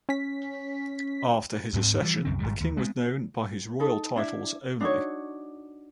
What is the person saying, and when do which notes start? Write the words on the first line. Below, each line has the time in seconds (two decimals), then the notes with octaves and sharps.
After his accession, the king was known by his royal titles only.
0.09 C#4 B6
1.73 D2 G#2 A#3 C4
2.01 E3 F3 G3
2.25 C2 F#2 C4
2.40 G#1 G#2 G3
2.61 D#2
2.77 G#3 B3 C4
3.80 D#4 A4
4.16 D4 E4 E5
4.81 D4 D#4 F#4 C#5